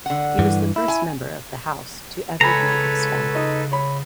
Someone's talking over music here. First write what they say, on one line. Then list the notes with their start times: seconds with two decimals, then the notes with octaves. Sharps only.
He was the first member of the House to ever be expelled.
0.06 D3 F#5
0.39 G2 E3
0.76 E4
0.88 G#5
2.41 C#2 A4 B4 C#5 G#5 A#5 B5
3.35 D#4 D#5
3.72 C#5 B5